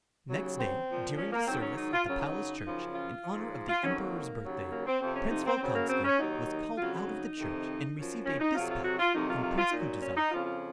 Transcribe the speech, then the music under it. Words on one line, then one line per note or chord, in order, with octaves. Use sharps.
Next day during the service at the palace church in honor of the Emperor's birthday, Prince Volkonski was called out of the church and received a dispatch from Prince Kutuzov.
D#2 C#3 F#3
C4
A#2 F3
C#4
A#3
G#2 D#3 F#3 C4
C#4
D#4
F4
F#2 C#3 F#3 F4
D#4
F#2 C#3 F3
F4
G#2 F3
F4
F2 D#3 F#3 C#4
A#3
D#2 C#3 F#3
A#3
C4
F2 C3 F3 C4
C#4
D#4
C4
F#2 C#3 F#3 C4
A#3
C4
C#4
D#2 D#3 F#3 D#4
F2 C#3 F#3 F4
D#4
F2 C3 D#3
F#2 F3
C#4
D#4
F2 C3 F#3 F4
F4
F#4
F4
F2 C3 D#3 F#3 D#4
F4
F4
F4
A#2 F#3 D#4
C#4
D#4
F2 C#3 F3 F4
F4